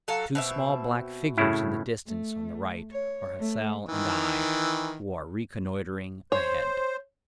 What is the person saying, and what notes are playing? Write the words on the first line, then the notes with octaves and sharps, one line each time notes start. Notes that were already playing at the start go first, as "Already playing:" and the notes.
The two small black figures in the distance, on the right, are Hassel and I, who are reconnoitring ahead.
F#3 A4 F5
B2 C4 E5
A2 C#3 E4
A3
C#5
A3
D#3 E3
C5 C#5